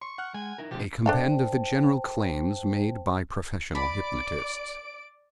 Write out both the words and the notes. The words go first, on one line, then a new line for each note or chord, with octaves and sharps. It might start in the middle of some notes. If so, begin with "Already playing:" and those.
A Compend of the General Claims Made by Professional Hypnotists.
C6 C#6
F#5 F6 F#6
G#3 G#5
D#4 E4 A#4
B2 D3 F3 G#3 C4 G4
D4 A4 C5 F5 G5 A5
D5 B5 D7